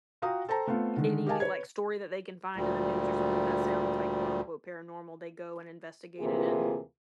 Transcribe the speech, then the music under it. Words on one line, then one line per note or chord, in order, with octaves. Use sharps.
any, like, story that they can find in the news or something that sounds like quote, unquote "paranormal," they go and investigate it and
F4 F#4 F5 G5 A#5 D#6
A4 C5 G5 A5 A#5
A3 B3 C4 F4
D3 D#3 G#3
G4 A#4 D#5 F5 G#5 A5
B4 C#5 G#6
D2 A#2 G3
D2 C3 E3 A#3 F4 G#4